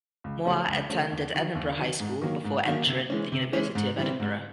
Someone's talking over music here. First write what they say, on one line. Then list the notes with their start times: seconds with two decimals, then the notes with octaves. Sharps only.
Moir attended Edinburgh High School before entering the University of Edinburgh.
0.24 C#2
0.46 C#3 F#3 A3 C#4
0.68 C#2
0.90 C#3 F#3 A3 C#4
1.12 D#2
1.34 D#3 F#3
1.55 D#2
1.77 D#3 F#3
2.00 G#2
2.22 D#3 F#3 A#3
2.44 G#2
2.65 D#3 F#3 A#3
2.87 C3
3.10 E3 G#3 C#4
3.32 C3
3.53 E3 G#3 C#4
3.75 G#2
3.97 E3 G3 C4
4.20 G#2